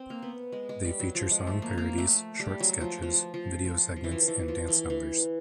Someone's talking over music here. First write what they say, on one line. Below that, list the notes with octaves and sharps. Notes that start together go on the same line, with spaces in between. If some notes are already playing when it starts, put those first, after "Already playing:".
They feature song parodies, short sketches, video segments and dance numbers.
Already playing: C4
A#3
B3
G#3
G#3
G3
F#3
F3
G#3
A3
A#3
A#3
A3
G3
F#3
F3
F3
F3
F3
F3
E3
F3
E3
F3
E3
E3